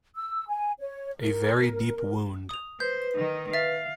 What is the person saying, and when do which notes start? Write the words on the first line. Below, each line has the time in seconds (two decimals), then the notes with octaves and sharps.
A very deep wound.
0.16 E6
0.49 G#5
0.80 C#5
1.19 A#4
2.49 D#6 F7
2.80 B4 C5 G6
3.17 D#3 D#4
3.54 E5 F5 A6